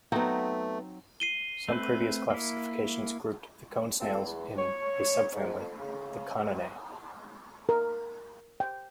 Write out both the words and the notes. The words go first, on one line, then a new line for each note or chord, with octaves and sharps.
Some previous classifications grouped the cone snails in a subfamily, the Coninae.
F#3 A3 B3 C4 D#4 F#5
C7 D#7 G7
A3 C4 B4
A#3 E4
C4 D#4 F4 A4
E2
C#5
G#2
F2
C#3
A#4
G5